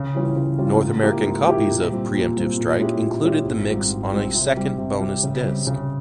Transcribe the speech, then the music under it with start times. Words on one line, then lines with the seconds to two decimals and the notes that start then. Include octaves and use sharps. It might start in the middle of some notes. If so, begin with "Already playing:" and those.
North American copies of "Preemptive Strike" included the mix on a second bonus disc.
Already playing: C#3
0.15 E3 G3 C#4 F4
0.36 C#3
0.58 E3 G3 C#4 F4
0.80 G#2
1.02 F3 A#3 E4 G4
1.26 G#2
1.47 F3 A#3 E4 G4
1.70 A#2
1.91 G3 C4
2.13 A#2
2.36 G3 C4
2.58 A#2
2.80 G#3 C#4 E4 G4
3.02 A#2
3.24 G#3 C#4 E4 G4
3.46 G#1
3.68 G#2 G3 C4 F4
3.90 G#1
4.12 G#2 G3 C4 F4
4.35 C3
4.57 G3 C4
4.78 C3
5.00 G3 C4
5.23 C#3
5.45 G3 C4
5.67 C#3